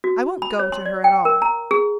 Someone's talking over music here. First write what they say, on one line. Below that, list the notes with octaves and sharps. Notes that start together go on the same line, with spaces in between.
I won't go to her at all.
F#4
B5
C#5
C6
D5
G5
A#4
A#5
G#4